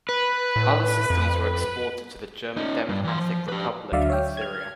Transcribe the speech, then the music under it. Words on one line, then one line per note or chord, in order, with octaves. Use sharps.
Other systems were exported to the German Democratic Republic and Syria.
B4
A2
F2
C#4 D#4
G2
E3 C6
F3
G4 B4
D2 D3 F#3 D5 E5 F5
C#5 G5
F6 G#6